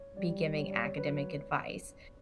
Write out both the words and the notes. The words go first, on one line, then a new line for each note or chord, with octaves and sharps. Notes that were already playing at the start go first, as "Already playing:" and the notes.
be giving academic advice."
Already playing: C#5
G3 D5
C#5
D5
C#5
F#3 B4
C#5